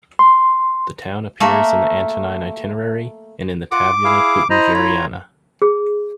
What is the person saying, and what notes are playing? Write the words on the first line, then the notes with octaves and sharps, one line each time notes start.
The town appears in the Antonine Itinerary and in the Tabula Peutingeriana.
C6
A3 A#3 A#4
F4 F#5 D6
E4 G#4 F5
E4 C5 D#5 A#5
F4 C#5 A#5
G#4